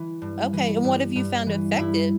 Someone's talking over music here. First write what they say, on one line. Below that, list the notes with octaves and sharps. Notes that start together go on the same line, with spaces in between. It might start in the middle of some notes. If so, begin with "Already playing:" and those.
Okay, and what have you found effective
Already playing: E3
G2
E3
G2
G2
E3
G2 E4